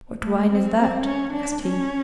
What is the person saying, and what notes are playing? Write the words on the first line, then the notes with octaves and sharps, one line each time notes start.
"What wine is that?" asked he.
A3
C4
C4
C#4
D4
C#4